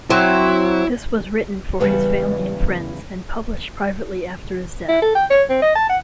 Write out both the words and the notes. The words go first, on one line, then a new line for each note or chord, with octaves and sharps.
This was written for his family and friends, and published privately after his death.
F#3 C4 E4
E2 C#3 G3 G#3 B4 F5
E4
A4
G5
C#5
C4
D#5
A5
F#5